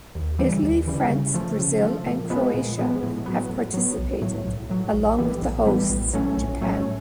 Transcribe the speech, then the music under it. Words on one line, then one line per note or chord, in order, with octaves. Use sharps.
Italy, France Brazil, and Croatia have participated, along with the hosts, Japan.
D#2
C#3 E3 G3
D#2
C#3 E3 G3
C#3
F3 A3
C#3
F3 A3
A#2
F3 G#3 B3
A#2
F3 G#3 B3
A2
F#3 B3
A2
F#3 B3
B1
A2 F#3
B1
A2 F#3
A#1
A2 E3 G3 B3
A#1
A2 E3 G3 B3
A#1
A2 F#3 A3 C#4
A#1
A2 F#3 A3 C#4